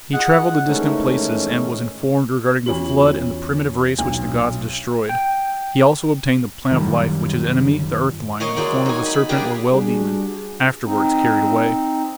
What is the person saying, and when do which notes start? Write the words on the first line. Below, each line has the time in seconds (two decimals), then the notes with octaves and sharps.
He travelled to distant places, and was informed regarding the flood and the primitive race which the gods destroyed; he also obtained the plant of life, which his enemy, the earth-lion, in the form of a serpent or well demon, afterwards carried away.
0.13 F4 G#4 D#5 F#5
0.67 G#2 D#3 E3 A3 C#4
2.66 E2 C#4 D4 F4 F#4 F#7
3.99 B1 D4
5.09 G5
6.71 F#2 D#3 F#3 G3
8.40 A#4 C#5 D#5 F5
8.56 F#3 G#3 A#3 D5
8.86 D#4 G#5
9.06 B5
9.29 A#3 D4 G4 G#4
9.71 G3 D4 F#4 G#4
10.84 C4 D#4